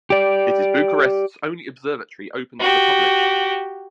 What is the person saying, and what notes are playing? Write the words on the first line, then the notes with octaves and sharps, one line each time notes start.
It is Bucharest’s only observatory open to the public.
G4 D5
F#4 G4